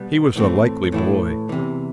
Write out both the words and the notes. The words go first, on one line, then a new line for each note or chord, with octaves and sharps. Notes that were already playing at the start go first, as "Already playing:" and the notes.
He was a likely boy.
Already playing: B2 G3 B3
A2 E3 A3 C4
A2 E3 A3 E4
E2 C3 E3